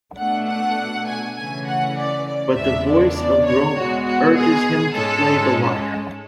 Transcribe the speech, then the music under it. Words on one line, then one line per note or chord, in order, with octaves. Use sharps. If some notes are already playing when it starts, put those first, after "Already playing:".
But the voice of Groma urges him to play the lyre.
B2 A3 D4 F#5
F#5
G#5
C#3 E3 A3 C#4 G#5
F#5
D5
D5
E2 C#3 G#3 B3 D4 E5
D5
D5
C#5
B2 G#3 B3 F#4
F#4
G#4
G#2 G#3 C#4 A4